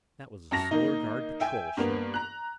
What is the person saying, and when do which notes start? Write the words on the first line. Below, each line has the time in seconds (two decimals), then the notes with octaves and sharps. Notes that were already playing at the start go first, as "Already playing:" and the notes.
"That was a Solar Guard patrol ship!"
0.51 F#2 A5 A#6 F7
0.71 D#3 A#3 D#4
1.40 E5 G5 G#5
1.77 G2 A#3 B3 F7
2.14 A#5 F#6